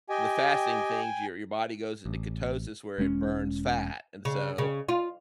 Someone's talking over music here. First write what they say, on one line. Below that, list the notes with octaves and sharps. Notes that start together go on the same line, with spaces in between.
the fasting things, your your body goes into ketosis where it burns fat, and so,
G4 D#5 G5 G#5
A1
E1 G#3 C4 C#4
C#3
C#3
F4